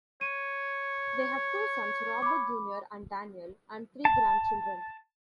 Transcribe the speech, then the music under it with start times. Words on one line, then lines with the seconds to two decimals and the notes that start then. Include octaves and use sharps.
They have two sons, Robert Junior and Daniel, and three grandchildren.
0.21 C#5 D#7
2.22 B5 D6
4.05 A5